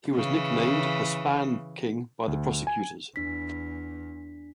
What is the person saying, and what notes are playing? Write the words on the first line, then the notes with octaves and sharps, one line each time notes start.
He was nicknamed the "Spam King" by prosecutors.
C#3 E3
D2
G#5
E2 D4 B6